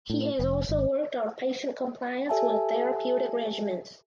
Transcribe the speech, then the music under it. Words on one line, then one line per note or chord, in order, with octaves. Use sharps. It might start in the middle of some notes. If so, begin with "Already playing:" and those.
He has also worked on patient compliance with therapeutic regimens.
A2
F1
G#1
G4 A4 E5 G#5 A5